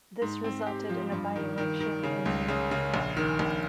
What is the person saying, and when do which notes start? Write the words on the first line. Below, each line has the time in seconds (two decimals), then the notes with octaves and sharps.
This resulted in a by-election in Manihiki.
0.22 G#2
0.44 C4
0.66 G4
0.89 F3
1.12 G2
1.36 D#3
1.58 D#3
1.80 D#3
2.03 C#3
2.26 C#2
2.48 C#3
2.71 C#3
2.94 A#1
3.17 D#3
3.39 A#1